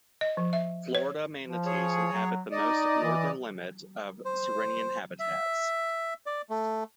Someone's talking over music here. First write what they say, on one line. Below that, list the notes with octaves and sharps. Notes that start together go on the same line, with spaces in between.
Florida manatees inhabit the most northern limit of sirenian habitats.
D#5
F3
E5
C#5
F3
G#4 C#5
F#3
D#4 D5 D#5
E3
C5
E5
D5
A3